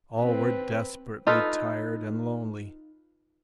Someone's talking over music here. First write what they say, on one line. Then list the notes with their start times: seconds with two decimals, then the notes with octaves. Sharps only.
All were desperately tired and lonely.
0.20 C4 B4
1.27 D#4 F4 A4 B4